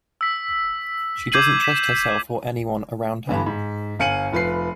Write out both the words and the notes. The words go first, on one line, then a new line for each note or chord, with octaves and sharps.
She doesn't trust herself or anyone around her.
E6 B6
D6 G6 G#6 C7 D#7 F#7
B6 D#7 E7
G2 D3 E3 B3
G#2
G1 F5 G#5 C#7 D#7 F#7
F1 F4 B4 B5 C7